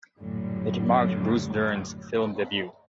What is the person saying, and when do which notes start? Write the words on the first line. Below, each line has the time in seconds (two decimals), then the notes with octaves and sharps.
It marked Bruce Dern's film debut.
0.19 A#1 F#2 A2 D3 F#3 G3